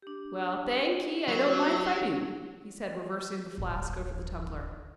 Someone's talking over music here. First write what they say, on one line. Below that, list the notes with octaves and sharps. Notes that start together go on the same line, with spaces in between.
"Well, thank ye, I don't mind if I do," he said, reversing the flask over the tumbler.
D4 G4
F#3
D1 G1